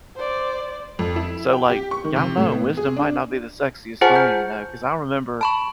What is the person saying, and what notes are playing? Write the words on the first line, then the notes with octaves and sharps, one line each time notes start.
So, like, y'all know wisdom might not be the sexiest thing, you know, 'cause I remember
C5 D5
F2
E4
G5
G4
C#6
D#3
C3
A2
B3
G#4
D4
F4 G#4 C5 F#5 G#5 A5
G6
A5 B5 C#6